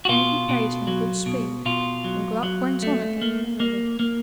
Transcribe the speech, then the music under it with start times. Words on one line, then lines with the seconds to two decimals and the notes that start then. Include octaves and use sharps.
Then he bade him good speed, and Gluck went on again merrily.
0.05 F#4
0.09 B2 F4
0.49 B2
0.87 F#3
1.26 B2
1.65 B2 F4
2.04 F#3
2.43 F#3
2.82 A3
3.22 A#3
3.60 A#3
4.00 A#3